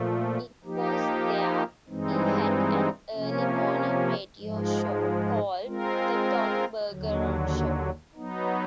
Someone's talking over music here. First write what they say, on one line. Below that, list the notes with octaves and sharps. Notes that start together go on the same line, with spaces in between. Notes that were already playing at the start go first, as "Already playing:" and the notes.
It was there he had an early-morning radio show called "The Tom Bergeron Show".
Already playing: A#2 F3 A3
F3 A#3 D#4 G4
G2 E3 G#3 C4 D#4
C3 F3 A#3 C#4
G#2 F3 G#3
G#3 C4 F4 A#4
D#2 D3 F#3
F#3 B3 D#4